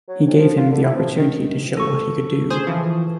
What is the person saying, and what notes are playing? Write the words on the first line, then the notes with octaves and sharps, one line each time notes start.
He gave him the opportunity to show what he could do.
F#3
F2
F3
F4
D3
E4
F3
D#3
A4 C#6
G#4 C5
E3 F3